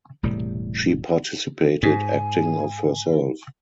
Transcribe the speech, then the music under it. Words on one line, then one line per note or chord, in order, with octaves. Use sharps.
She participated acting of herself.
E1 A2 C3 G3
G#2 G#5